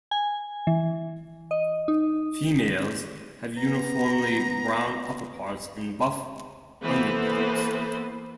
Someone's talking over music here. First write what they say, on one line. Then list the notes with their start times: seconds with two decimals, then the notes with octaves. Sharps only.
Females have uniformly brown upperparts and buff underparts.
0.11 G#5
0.67 E3
1.51 D#5
1.88 D#4
3.57 B3 A#5
6.84 E3 A#3 B3 A4 B4 C5